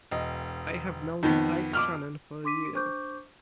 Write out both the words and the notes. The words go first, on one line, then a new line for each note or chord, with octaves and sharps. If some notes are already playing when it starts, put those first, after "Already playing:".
I have known Spike Shannon for years.
E1 D#5
F2 D#3 B3
D6 F6
D4 C6 D6 B6 D#7
D4 C5 C#6 D6 G6